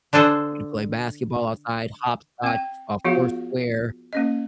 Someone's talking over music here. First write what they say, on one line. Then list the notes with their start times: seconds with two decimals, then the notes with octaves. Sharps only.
We'd play basketball outside, hopscotch, uh, foursquare.
0.13 D3 D4 G#4 A4 C5 F#5
2.44 C4 G5
3.04 F3 B3 F4 F#4 G#4 F5
4.13 A#3 C#4 D#5